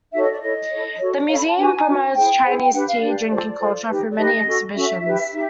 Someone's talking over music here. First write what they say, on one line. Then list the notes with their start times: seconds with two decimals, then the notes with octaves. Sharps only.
The museum promotes Chinese tea drinking culture through many exhibitions.
0.12 D#4 F#4 A4 C#5 E5
0.22 D#5
0.30 D5
0.41 E4 A4 C#5 D#5
0.70 E4 A4 C#5
0.98 F#4 A4 C#5
1.28 F#4 A4 C#5 F5
1.37 B5
1.47 A5
1.56 D4 F#4 B4 G#5
1.85 D4 F#4 B4
2.14 E4 G#4 C5 G5
2.43 E4 G#4 C5
2.61 G5
2.72 D4 G4 B4 F#5
2.87 F5
3.01 D4 G4 B4 D5
3.30 F4 A4 C5
3.58 F4 A4 C5
3.88 D#4 G4 B4
4.12 D5
4.17 D#4 G4 B4 D#5
4.45 C#4 F#4 A4
4.74 C#4 F#4 A4 E5
5.03 D#4 G4 B4
5.32 D#4 G4